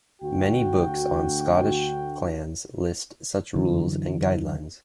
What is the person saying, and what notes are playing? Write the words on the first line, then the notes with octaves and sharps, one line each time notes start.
Many books on Scottish clans list such rules and guidelines.
D2 F#4 G5
F#2 D3 E3 F#3